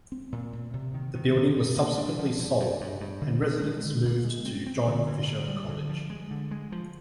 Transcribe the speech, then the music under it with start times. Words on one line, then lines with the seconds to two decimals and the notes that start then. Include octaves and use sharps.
The building was subsequently sold, and residents moved to John Fisher College.
0.12 C4
0.32 A#2
0.53 A#2
0.74 C3
0.94 D#3
1.15 D#3
1.36 C3
1.56 G2
1.77 A#3
1.98 D4
2.19 F3
2.39 G2
2.60 G2
2.81 G2
3.01 G2
3.21 D3
3.42 D3
3.62 G#3
3.84 D3
4.04 A#2
4.24 G#3
4.45 C4
4.66 C4
4.87 D3
5.07 D3
5.28 D3
5.48 G3
5.68 D3
5.89 F3
6.10 G#3
6.31 D3
6.51 G#3
6.72 F3